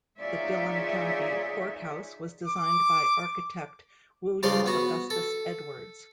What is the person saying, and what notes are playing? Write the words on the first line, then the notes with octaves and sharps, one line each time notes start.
The Dillon County Courthouse was designed by architect William Augustus Edwards.
D#4 F4 G#4 C#5 D5 E5
D6
G2 C#3 F3 D5 F5 C6
B3 F#4
A4